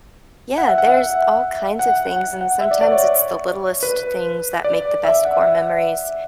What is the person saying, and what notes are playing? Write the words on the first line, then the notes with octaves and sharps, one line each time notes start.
Yeah, there's all kinds of things, and sometimes, it's the littlest things that make the best core memories,
F#5
E5
F#5
E5
F#5
F#5
F#5
E5
D5
D5
C#5
B4
D5
E5
F#5